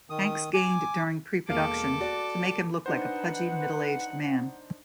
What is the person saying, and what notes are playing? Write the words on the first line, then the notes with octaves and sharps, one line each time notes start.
Hanks gained during pre-production to make him look like a pudgy, middle-aged man.
D#3 D#6
G#5 D6
E1 A#3 A4 F5 D6
F#4 D5
D4 D#4 B4 C5 F#5